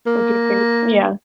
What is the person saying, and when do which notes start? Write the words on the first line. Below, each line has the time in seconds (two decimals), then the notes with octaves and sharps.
Would you agree with yeah.
0.06 A#3